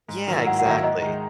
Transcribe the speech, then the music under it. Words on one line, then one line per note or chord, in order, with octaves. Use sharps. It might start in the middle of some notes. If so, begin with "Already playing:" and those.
Yeah. Exactly.
G#2
D#3 F#3 A#3 E4
G#2 F#5
F#5
D#3 F#3 A#3 E4
E5
G#2 D#5
D#3 G#3 D#4